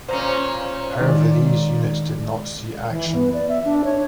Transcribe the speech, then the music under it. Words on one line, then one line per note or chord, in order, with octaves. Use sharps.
However, these units did not see action.
A#2 C#4 C5 A#5
D#3 G#3 D5
E3
B3
D5
E5
D4
C#5